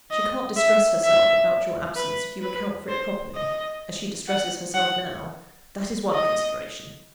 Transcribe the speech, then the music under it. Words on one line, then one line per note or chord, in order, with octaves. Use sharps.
She can't distress herself about your absence, if you account for it properly, as she distresses herself now--that is one consideration.
D#5
E5
E5
B4
B4
C5
D#5
F#5
F#5
D#5